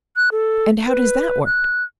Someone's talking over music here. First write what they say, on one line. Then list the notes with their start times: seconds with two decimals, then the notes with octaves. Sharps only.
"And how does that work?"
0.17 F#6
0.32 A4
0.87 B4
1.46 F#6